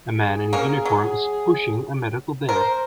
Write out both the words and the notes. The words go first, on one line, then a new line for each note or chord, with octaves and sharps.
A man in uniform is pushing a medical bed.
G#4
A#3 C#4 A#4
F#3
A#4 C5